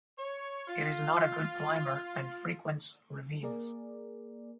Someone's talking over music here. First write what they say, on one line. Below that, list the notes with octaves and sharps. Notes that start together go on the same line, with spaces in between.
It is not a good climber and frequents ravines.
C#5
F4
A#3 G#4 A#4 D5